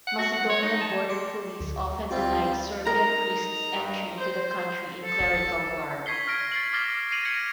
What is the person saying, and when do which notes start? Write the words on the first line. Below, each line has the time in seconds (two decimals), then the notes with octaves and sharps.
Macedonian border police often denied Serbian priests entry into the country in clerical garb.
0.07 F#5
0.19 F#4
0.34 F#5
0.50 C#5
0.63 D#4
0.81 A5
1.10 C6 D6
1.60 D2
2.11 G3 C4 F4 G4
2.87 D#4 A#4 A#5
3.75 G2
4.18 C5
5.02 A4
6.06 C#6 G#6 B6 C7 G7
6.27 F6 A#6 D7
6.52 A6 C7 F#7
6.73 D6 F6 A6 A#6 C7 G7
7.11 A#6 C7 D7 D#7 F7 F#7
7.25 G#6 A#6 C#7 D7 F#7